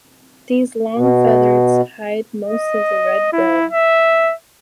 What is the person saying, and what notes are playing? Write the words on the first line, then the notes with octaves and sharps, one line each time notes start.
These long feathers hide most of the red bill.
B2
D#5
E4
E5